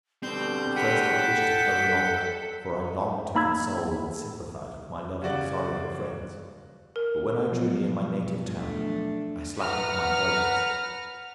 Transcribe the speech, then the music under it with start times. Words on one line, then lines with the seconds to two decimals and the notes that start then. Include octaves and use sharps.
At first I wished to hurry on, for I longed to console and sympathise with my loved and sorrowing friends; but when I drew near my native town, I slackened my progress.
0.23 B2 D3 G3 C4 G6
0.76 G#4 B4 F#5 G5 B6
1.19 A4
3.35 A#3 D#4 B5 E6 G#6
5.22 C#3 G3 F#4 D5
6.96 A#4
7.50 B2 F3 F#3
8.53 A3 D4
9.57 B4 F#5 A#5 F6